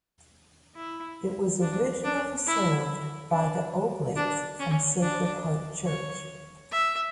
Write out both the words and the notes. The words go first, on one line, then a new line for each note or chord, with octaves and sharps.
It was originally served by the Oblates from Sacred Heart Church.
E4
D4
D4
E4
D4
D4
C#4
D4
C#5
E5